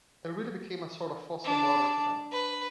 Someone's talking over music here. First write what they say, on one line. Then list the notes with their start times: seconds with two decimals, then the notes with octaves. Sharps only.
I really became a sort of foster mother to them.
1.44 D4
2.31 B4